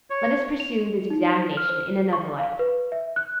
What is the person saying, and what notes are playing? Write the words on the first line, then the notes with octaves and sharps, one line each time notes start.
Let us pursue this examination in another light.
C#5
F7
D#4
C5
F6
C5
C#6
F5
B4
E5
F#6